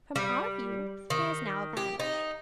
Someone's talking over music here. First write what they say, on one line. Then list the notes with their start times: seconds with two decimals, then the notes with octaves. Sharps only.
From our view he has now vanished.
0.16 G3
1.10 D#3
1.77 G4
2.00 D#4